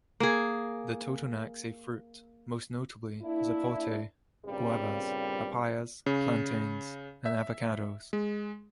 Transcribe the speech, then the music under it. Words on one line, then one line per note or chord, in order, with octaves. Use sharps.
The Totonacs ate fruit, most notably zapotes, guavas, papayas, plantains and avocados.
A#3 G#4
A#3 D4 E4
G2 A#2 C#3 G3 C4
C#3
E5
G#3